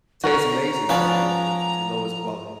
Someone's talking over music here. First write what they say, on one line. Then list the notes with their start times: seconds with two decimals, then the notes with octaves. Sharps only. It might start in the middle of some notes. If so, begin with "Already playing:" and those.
tastes amazing, but it's the it's the lowest quality.
0.24 F#4 A#4 C#5 A#5
0.89 F3 B3 C#4 D4 B4